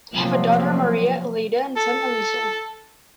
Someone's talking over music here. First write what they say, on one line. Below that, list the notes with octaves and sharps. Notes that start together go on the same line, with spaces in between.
They have a daughter, Maria Eladia, and a son, Eliseo.
C3 F3 F#3 A3 A#3 C4
A4